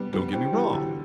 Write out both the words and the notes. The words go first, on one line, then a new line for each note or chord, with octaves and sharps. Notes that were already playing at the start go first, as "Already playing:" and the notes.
don't get me wrong,
Already playing: G3 B3
G3 B3
E3 G4 C5 G5
E3 G3
D3 F#3